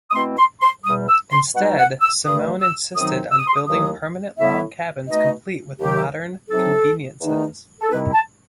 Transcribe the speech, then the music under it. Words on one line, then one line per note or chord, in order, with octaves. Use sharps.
Instead, Semon insisted on building permanent log cabins complete with modern conveniences.
D#6
B2 A3 C4 E4 C6
C6
C6
E2 B2 G3 D#6
E6
C6
B2 G3 D#4 F#5
F#5
E6
G2 D#3 A3 D#6
E6
F#2 D#3 F#3 C4 D#4 D#6
E6
D#6
C6
D#6
D#2 D#3 F#3 A3 E4 D#6
A2 G3 B3 E4 E5
B2 A3 D#4 D#5
D#2 D#3 F#3 G4
C3 F#3 C4 D#4 A4
E2 D#3 A3 D#4
A4
C3 D#3 G3 C4 E4 B4
A5